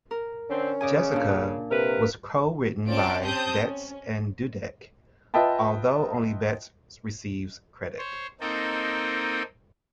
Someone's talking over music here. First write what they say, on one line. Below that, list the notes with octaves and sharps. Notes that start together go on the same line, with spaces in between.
"Jessica" was co-written by Betts and Dudek, although only Betts receives credit.
A#4
D3 C4 C#4
C#3 D5 D#5 G#5
A#2 D4
C3 A#4 B4
C4 C#4 F4 D5 A5 D7
C4 G4 A5 D#6 G6
C#4
F4 B4 D#5 E5 G5 A5
C5 C#5
A#3 C4 D#4 A4 D#5 G5